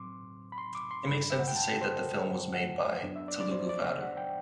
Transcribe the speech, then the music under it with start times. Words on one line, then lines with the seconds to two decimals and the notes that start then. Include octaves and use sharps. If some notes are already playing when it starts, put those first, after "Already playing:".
It makes sense to say that the film was made by "Telugu Vadu".
Already playing: A2 F#3 C4 C6 D6
0.52 B5
0.58 C6
0.75 D6
0.91 C6
1.07 G2 D3 G3 B5
1.30 E5
1.39 F#5
1.48 G5
1.56 A5
1.81 C5
2.54 F#5
3.03 F#2 F#3 B3 D4
3.16 E5
3.28 D5
3.40 D5
3.52 C5
3.69 D5
3.86 E5
4.01 F#5
4.17 G5